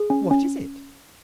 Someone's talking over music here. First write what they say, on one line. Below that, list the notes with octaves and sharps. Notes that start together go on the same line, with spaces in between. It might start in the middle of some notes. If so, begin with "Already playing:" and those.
"What is it?"
Already playing: G#4
C#4
C#4